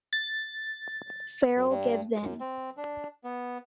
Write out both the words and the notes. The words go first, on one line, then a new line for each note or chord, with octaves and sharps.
Farrell gives in.
A6
F#2
G2
F#2
C4
D4
B3